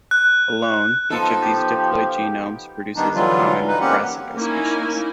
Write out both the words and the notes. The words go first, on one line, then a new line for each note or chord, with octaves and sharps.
Alone, each of these diploid genomes produces a common "Brassica" species.
F#6
F3 B3 D#4 A4
G4
D#3 G3 B3 D4 D#4
D3 E3 F#3 G3 F4
D#4 B4
A#3 C4 C#4 G4 F#5
A#3 C#4 D#4 E4 G#5